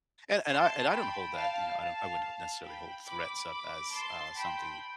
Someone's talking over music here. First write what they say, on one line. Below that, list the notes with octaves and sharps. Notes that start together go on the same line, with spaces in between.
and and I and I don't hold that, you know, I don't I wouldn't necessarily hold threats up as, uh, something that,
A5 C6
G5 B5
F5 A5
F5 A5
G5 B5
B5 D6
B5 D6
A5 C6
G5 B5